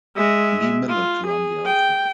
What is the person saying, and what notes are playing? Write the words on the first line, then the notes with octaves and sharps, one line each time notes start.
B. Miller to run the outfit.
G#3 E5
F4
G#4
G5